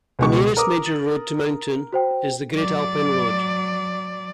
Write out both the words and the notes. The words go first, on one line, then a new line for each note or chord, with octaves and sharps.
The nearest major road to mountain is the Great Alpine Road.
C#2 B2 C#6
A#4 B4 D6 D#6
A6 F#7
F#4 C5 G5
F#3 D5